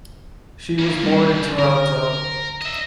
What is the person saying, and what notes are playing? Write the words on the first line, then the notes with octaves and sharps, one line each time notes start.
She was born in Toronto.
A#3 C#4
F#2 D3 G3 C#4
D3 A#4 G#5 D7
D#5 E5